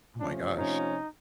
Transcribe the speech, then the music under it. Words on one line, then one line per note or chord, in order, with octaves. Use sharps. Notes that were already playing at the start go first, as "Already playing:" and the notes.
Oh my gosh.
C3 F3 A3 C#4 D4
C#4 D#4